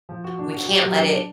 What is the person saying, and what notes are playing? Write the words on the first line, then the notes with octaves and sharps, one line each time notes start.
we can't let it
F3
F#4
D4
F#4
G4
F#3
D4
D4